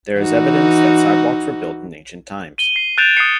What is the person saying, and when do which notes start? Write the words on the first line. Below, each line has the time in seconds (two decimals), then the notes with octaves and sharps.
There is evidence that sidewalks were built in ancient times.
0.16 E3 D#4 F#4
2.58 D#7 G7
2.76 C7
2.98 F#6 G6 A6 D7 E7 F7
3.17 D#6 F#6 C7 C#7